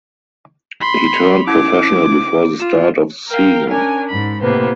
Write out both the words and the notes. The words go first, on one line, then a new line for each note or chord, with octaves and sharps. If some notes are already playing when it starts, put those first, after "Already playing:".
He turned professional before the start of the season.
B5 C6
C#7 F7
C#4 E4 D6 G#6
F4 E7
A#4 F5 G5
C#4 D4 A#4 G#5
G#2 B5
A2 C3 A#3 B3 C5